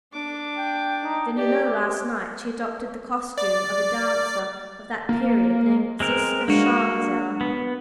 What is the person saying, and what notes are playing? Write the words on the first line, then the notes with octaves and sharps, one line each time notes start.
Then you know last night she adopted the costume of a dancer of that period, named Ziska-Charmazel.
D4 D6
G5
D#4
G4 D5
D5
A#3
G#3 C4 A#4
G#3 A#3 D4 F#4
B3